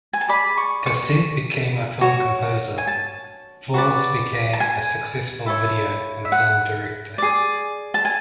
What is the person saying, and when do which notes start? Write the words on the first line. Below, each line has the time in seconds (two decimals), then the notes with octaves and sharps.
Dasent became a film composer, Flaws became a successful video and film director.
0.13 G#5
0.21 A5
0.28 G#4 D5 B5
0.57 C#6
0.86 C#6
2.01 F#4 C#5
2.78 G#5
2.87 A5
3.74 F#4 B4 D5
4.53 A5
4.60 G#5
5.46 E4 A4 C#5
6.25 E5
6.32 F#5
7.18 G#4 D5
7.94 A5
8.05 G#5